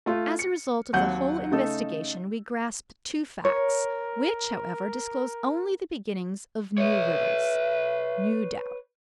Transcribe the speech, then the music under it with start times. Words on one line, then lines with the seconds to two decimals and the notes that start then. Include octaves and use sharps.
As a result of the whole investigation we grasp two facts, which, however, disclose only the beginnings of new riddles, new doubts.
0.06 A3 F4
0.39 C#7
0.93 D#2 F#3 C4 F#5 G6
1.51 C#3 A3 D#4 A4
3.45 A#4 C#5
6.78 B4 C#5 E5